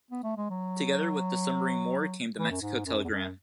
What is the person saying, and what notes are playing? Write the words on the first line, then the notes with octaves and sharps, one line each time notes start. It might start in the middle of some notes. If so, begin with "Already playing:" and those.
Together with the submarine war came the Mexico telegram.
B3
A3
G#3
F#3
E3
F#2
G#2
F#2
E2
F#2